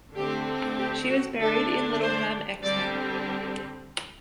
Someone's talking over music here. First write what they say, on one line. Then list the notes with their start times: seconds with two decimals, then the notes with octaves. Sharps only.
She was buried in Littleham, Exmouth.
0.15 D3 A3 C4 G4
0.77 G4
1.07 F#4
1.39 D3 A3 D4 A4
2.01 C5
2.62 D3 G3 C4 D5